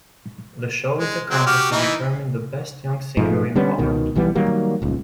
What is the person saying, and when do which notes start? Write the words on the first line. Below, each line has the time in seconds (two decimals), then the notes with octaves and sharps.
The show is a contest to determine the best young singer in Poland.
0.98 G#3
1.30 F#3 G#3 C4
1.46 F#4 G4 F6
1.72 E3 D#4 E4
3.17 G#2 F3 A3
3.56 D3 G3 B3 C#4
3.79 C#2 B2 D#3
4.16 B1 E3 G3 B3
4.35 D#3 F#3 G3 A#3
4.82 D#1 C#2